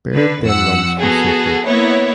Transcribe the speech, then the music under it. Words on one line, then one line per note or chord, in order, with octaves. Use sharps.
Baird then runs for safety.
D3 B4
F2 F#5 E6 C#7
B3 F#4 G#4 A4
A#3 B3 E4 C#5 D#5